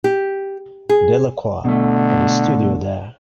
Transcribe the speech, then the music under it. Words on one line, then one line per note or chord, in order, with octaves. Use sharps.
Delacroix had a studio there.
G4
G#4
B2 D3 A3